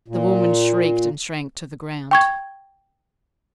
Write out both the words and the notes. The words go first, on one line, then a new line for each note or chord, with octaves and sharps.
The woman shrieked and shrank to the ground.
A#2
G5 C#6 G#6